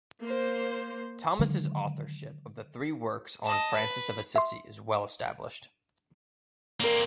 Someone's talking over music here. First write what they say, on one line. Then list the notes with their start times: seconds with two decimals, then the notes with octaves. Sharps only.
Thomas's authorship of the three works on Francis of Assisi is well-established.
0.21 A#3 C5
1.39 D3 D#3 F#3 G#3
3.45 D#5 A5
3.76 B4
4.36 E5 C6
6.80 A#3 C4 A#4 D5